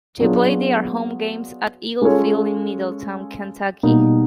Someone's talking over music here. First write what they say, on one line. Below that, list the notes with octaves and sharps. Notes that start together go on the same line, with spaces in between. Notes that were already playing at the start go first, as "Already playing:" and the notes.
They play their home games at Eagle Field in Middletown, Kentucky.
F#3 B3 D4 F4 G#4
G#3 C#4 F4 A4 C#5
B2 G3 A#3 D#4